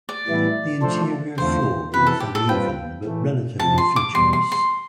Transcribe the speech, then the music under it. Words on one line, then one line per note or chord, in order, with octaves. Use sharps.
The interior floor is uneven but relatively featureless.
D5
A2 E3 G3 B3 E4
F3 A3 D4 A4 C5
E2 D3 A3 C4 F4 C5
C3 E3 B3 B4
A4
G4
A4
G3 C4 F4 B4 G5
A2 E3 A3
F2 C3 F3 A5
C6
D6
E2 B2 G3 C6
C6
C6